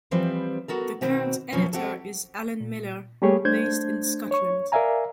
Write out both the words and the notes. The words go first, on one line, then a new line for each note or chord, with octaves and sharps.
The current editor is Alan Millar, based in Scotland.
E3 F3 G3 C4 B4
B3 F#4 A4 A#4
B2 D#3 C4 F#4
E2 B2 F3 F#3 C#4
C4 F#4 G4 A4
A#2
G3 A3 A#3 G4 G#4 C#5
A3 D4 C5 G6 G#6
C#5 C#6
A#4 D5 E5 F5 G#5 A#5